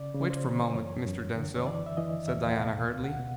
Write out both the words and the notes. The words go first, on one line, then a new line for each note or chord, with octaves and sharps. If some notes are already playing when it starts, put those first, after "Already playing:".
"Wait for a moment, Mr. Denzil," said Diana hurriedly.
Already playing: C#3 D5
C#3
C5
E3
F#2 C#5
F#2
D3
C#5
E3 D5
E5
E3 D#5
D#2 E5
F#5
B2 F5
C#2
F#5
B2